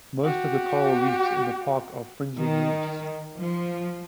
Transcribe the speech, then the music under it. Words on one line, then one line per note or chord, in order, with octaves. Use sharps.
Most of the coral reefs in the park are fringing reefs.
F#4 G4
D#3
F3